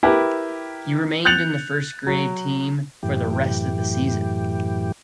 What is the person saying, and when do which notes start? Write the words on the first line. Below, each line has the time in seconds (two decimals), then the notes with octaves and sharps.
He remained in the first grade team for the rest of the season.
0.03 E4 G4 A#4 B4
1.25 F#6 G6 A6 C#7 F7 F#7
2.07 F#3
3.03 F#2 A2 E3 G4